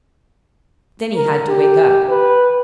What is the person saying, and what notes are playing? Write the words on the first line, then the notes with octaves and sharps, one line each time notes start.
Then he had to wake up.
A#4
G4
B4